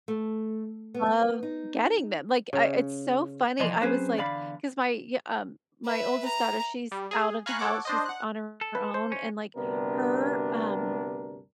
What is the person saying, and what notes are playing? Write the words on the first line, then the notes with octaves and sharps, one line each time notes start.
love getting them. Like, I it's so funny. I was like 'cause my y um, my oldest daughter, she's out of the house, she's on her own, and, like, her, um,
A3
B3
D#4
C#3
C2 E3 F3 D5 D#5 C6
F#3 C4 C#4 G#4 B4 C5
E2 D3 D5 F5 B5
B4 E5
A#5
G3
G#4
F5 G#5 A#5 B5 C#6 F#6
A4 C#5 F#5 D6
D4 C5 D#5
F#5 F#6
A4
B4
C5
C#4
D2 G2 C3 B3 D4 A#4